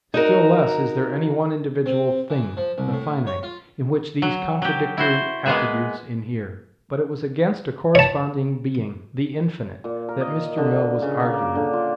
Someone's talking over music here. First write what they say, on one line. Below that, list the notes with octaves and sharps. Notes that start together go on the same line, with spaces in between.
Still less is there any one individual thing, "The Finite," in which these contradictory attributes inhere. But it was against a corresponding being, "The Infinite," that Mr. Mill was arguing.
D#4 F#4 A#4
C4
E3
F3
C2
A2
C#5
F4
F#3
F#3 G4
E4 F#4 C5
G#3 A#3 B3 G#4 E5
C#5 A5
A#2
A#4
D#5
D3
C#3
A#3
A#3
D3
F4